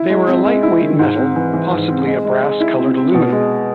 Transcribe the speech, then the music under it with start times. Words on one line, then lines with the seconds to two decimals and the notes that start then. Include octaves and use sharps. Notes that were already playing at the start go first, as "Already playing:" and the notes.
They were a light weight metal, possibly a brass coloured aluminum.
Already playing: E4
0.10 G#3
0.27 C4
0.45 G#3
0.63 E4
0.81 D#3
0.99 G#2
1.17 C4
1.36 E3
1.53 E3
1.71 G#2
1.90 C4
2.07 G#3
2.25 G#3
2.42 G#3
2.60 E4
2.79 C4
2.97 C4
3.14 B2
3.32 G#3